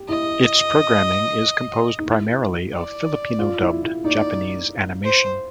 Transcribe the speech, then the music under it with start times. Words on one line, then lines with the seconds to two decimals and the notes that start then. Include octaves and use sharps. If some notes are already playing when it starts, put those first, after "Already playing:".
Its programming is composed primarily of Filipino-dubbed Japanese animation.
Already playing: G4
0.08 E4 D#5
1.99 D#4
2.06 E4
2.73 D5
3.39 F4
3.61 E4
3.83 E4
4.04 D#4 D5
5.04 C5